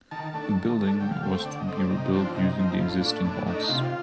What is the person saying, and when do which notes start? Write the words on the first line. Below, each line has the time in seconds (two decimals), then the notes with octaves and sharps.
The building was to be rebuilt using the existing walls.
0.11 D#3 A5
0.34 A3 D4
0.56 D#3
0.78 A3 D4
1.00 D3 G5
1.12 F5
1.23 A3 C4 G5
1.34 G5
1.45 D3 D5
1.60 D#5
1.67 A3 C4
1.75 D5
1.90 C3 D#4
2.13 F3 C4 D4
2.34 C3 D#4
2.57 F3 C4
2.79 A2 F4
3.01 A3 D4
3.24 A2 D4
3.46 A3 D4 D#4
3.68 C3 F4